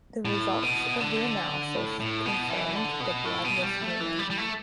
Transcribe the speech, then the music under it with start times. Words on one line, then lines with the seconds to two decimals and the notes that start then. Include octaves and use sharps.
The results of the analysis confirmed the blood was human.
0.25 A2
0.62 B2
1.00 D3
1.75 A2
2.00 A2
2.25 B2
2.50 E3
2.75 D3
3.00 B2
3.25 A2
3.44 B2
3.62 G3
3.81 A3
4.00 E3
4.19 G3
4.30 G3
4.38 A3